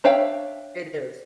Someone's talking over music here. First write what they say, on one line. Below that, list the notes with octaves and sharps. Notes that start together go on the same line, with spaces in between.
It is.
D4 C#5 E5 F5 G5